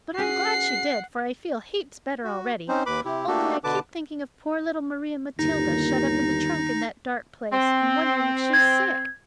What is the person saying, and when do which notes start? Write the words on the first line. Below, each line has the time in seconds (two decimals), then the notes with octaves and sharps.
But I'm glad she did, for I feel heaps better already; only I keep thinking of poor little Maria Matilda shut up in the trunk in that dark place, and wondering if she's sick.
0.18 C#4 F#4 G#4 F#5 C7
2.24 F#4
2.68 C4 C#4 D#4 C5
2.86 D#2 B4 B5 D6
3.05 C3 E4 G4
3.27 A3 A#3 D4 F#4 G4 A4
3.64 B2 D3 B4 A5 D6
5.39 G1 D#2 D#4 A#6
7.52 C4
8.53 G#6